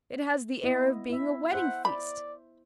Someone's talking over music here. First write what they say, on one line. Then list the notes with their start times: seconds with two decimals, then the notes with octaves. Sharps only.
It has the air of being a wedding feast.
0.64 B3 E4 D#5
1.09 E4 E5
1.52 C5 E5 F#5
1.85 D5 B5